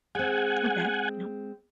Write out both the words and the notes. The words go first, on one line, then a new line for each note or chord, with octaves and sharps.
Okay, yep.
G#3 C4 F#5 G#5